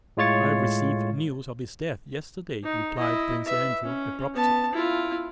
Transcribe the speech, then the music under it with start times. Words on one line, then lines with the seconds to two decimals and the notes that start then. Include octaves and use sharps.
"I received news of his death, yesterday," replied Prince Andrew abruptly.
0.17 A2 G#3 F4 C#5 A6 C#7
2.64 D#4
2.97 E4 D#5
3.46 B4 E5
3.83 C#4
4.34 B3 A5
4.73 E4 F4